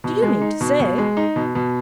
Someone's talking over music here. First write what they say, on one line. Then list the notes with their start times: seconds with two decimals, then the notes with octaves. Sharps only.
Do you mean to say--?'
0.04 B2
0.22 G#3
0.41 D#4
0.61 B2
0.80 B2
0.98 G#3
1.17 D#4
1.36 B2
1.55 B2